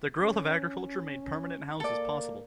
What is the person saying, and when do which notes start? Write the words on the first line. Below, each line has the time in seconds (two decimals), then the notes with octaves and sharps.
The growth of agriculture made permanent houses possible.
0.20 C#4
1.80 A#3 A4 D5